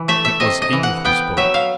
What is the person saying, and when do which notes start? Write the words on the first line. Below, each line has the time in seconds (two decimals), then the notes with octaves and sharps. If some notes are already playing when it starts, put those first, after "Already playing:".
It was Eve who spoke.
Already playing: E3
0.08 A3 E5
0.25 E5
0.40 C3 D#5
0.62 D#5
0.73 E3
0.83 F#5
1.05 B3 G5
1.37 F#3 E5
1.54 F5